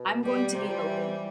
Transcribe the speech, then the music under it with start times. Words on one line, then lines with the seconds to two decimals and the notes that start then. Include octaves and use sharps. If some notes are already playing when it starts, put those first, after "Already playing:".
I'm going to be open.
Already playing: B2
0.24 G3
0.54 C3 G3
0.69 F3
0.84 E3